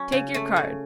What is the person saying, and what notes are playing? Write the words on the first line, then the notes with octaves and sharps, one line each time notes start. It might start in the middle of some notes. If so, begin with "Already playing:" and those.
Take your cards.
Already playing: F#3 C#4
C#3
A3
C#3